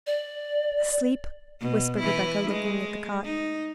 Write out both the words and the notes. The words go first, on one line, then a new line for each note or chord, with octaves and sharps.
"Asleep?" whispered Rebecca, looking at the cot.
D5
B2
E3 E4
G#3 A3
D#4